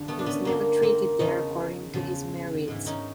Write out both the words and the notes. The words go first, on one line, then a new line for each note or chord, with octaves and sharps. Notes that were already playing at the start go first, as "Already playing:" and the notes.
He was never treated there according to his merits.
Already playing: G2 D3 F3
A3 B3
D4
B3 C#4
G2 D3 F3 A#3 C4
A#3 C4
E2 C#3 F3 C#4 D#4
E2 C#3 F3
G#2 E3
C#4 D#4